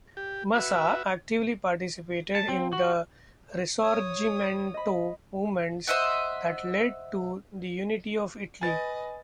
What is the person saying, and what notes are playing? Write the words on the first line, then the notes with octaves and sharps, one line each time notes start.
Massa actively participated in the Risorgimento movements that led to the unity of Italy.
G4
F#4 B4 E5
A5
C4
F#4
C#5 D#6
D#5 B5
C5 D#5 E5 F#5
B4 D#5 G#5 A6